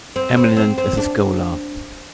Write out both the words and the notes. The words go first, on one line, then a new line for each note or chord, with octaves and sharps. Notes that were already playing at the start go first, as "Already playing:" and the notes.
Eminent as a Scholar.
C4
C4
C4
C4
D4